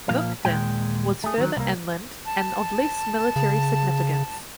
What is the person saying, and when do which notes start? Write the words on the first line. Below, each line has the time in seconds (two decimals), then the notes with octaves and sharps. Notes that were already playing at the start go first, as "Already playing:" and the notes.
Mukden was further inland and of less military significance.
0.09 A#2 F3 A#3 F5
0.45 D#2 A#2 G#3 G5
1.24 A3 G#4
1.38 D#3 F#3
1.57 C2 A#3
2.26 A5
3.36 C#3